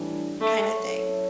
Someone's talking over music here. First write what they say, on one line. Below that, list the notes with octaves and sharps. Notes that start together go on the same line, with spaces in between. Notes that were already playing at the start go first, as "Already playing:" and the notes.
kinda thing.
Already playing: A2 E3 G3 D4
A3
F#3 C#4 E4 A4 C#5